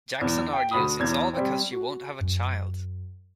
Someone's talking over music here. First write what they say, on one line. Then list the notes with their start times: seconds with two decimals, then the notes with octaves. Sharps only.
Jackson argues it's all because she won't have a child.
0.21 E2
0.53 G5
0.71 D2 B5 D#6
1.00 E2 G#6
1.33 G3 C4
1.72 F#4
2.21 F#2